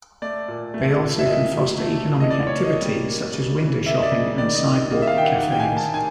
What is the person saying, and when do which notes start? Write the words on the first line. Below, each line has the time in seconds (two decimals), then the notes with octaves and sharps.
They also can foster economic activity, such as window shopping and sidewalk cafes.
0.22 A3 D5
0.48 A#2
0.74 A3
1.00 A#2
1.19 E5
1.26 A#2 D#5
1.52 F#3
1.78 A3
2.04 A#2
2.20 D#5
2.30 E3 D5
2.47 C#5
2.56 A#3
2.65 D#5
2.82 G3
3.08 A#3
3.34 C#3
3.60 E3
3.86 A#3 E5
3.94 D#5
4.03 D5
4.12 C#3 D#5
4.38 D#3 D5
4.55 D#5
4.64 D#3
4.73 D#5
4.90 A#3 D#5
5.02 E5
5.07 F5
5.16 D#3 G5
5.25 F#5
5.42 D#3
5.52 G5
5.60 G#5
5.68 D#3
5.77 A5
5.94 D#3 G#5